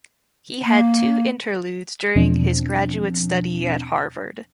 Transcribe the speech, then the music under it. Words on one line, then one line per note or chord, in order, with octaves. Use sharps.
He had two interludes during his graduate study at Harvard.
A#3
E2 B2 F3 C4 D4